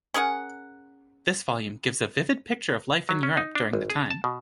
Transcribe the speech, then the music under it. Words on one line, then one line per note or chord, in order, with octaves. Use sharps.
This volume gives a vivid picture of life in Europe during the time.
C#4 G#4 A#4 F#5
F#3
C#4
D#4
D4
G#1
G#4
A5
B2